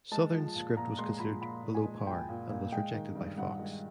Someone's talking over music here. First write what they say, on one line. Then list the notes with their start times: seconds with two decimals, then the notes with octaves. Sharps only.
Southern's script was considered 'below par' and was rejected by Fox.
0.12 G#3 A5
0.33 F3
0.55 A#2
0.77 A#2 A#5
0.98 G#3 C6
1.20 F3 B5
1.42 A#2 B5
1.63 A#2
1.75 G#5
1.85 G#3
2.07 F3 G5
2.29 A#2
2.50 A#2
2.72 G#3 G5
2.94 D#3
3.15 G2
3.38 G2 F#5
3.59 G#3